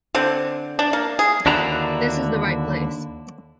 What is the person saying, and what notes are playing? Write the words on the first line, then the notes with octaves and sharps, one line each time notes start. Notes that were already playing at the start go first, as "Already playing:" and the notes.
This is the right place.
D3 C4
D4
A#3
G#4
D#2 D3 D4 E4 F#4 A#5